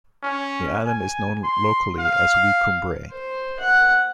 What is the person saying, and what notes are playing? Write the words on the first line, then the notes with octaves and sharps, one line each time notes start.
The island is known locally as Wee Cumbrae.
C#4
G#5
C6
F5
C5
F#5